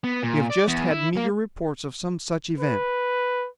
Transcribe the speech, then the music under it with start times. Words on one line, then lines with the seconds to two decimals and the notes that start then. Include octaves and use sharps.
"We have just had meagre reports of some such event."
0.04 B3
0.23 A#2
0.50 D5
0.68 E2
0.91 E4
1.17 A#3
2.60 B4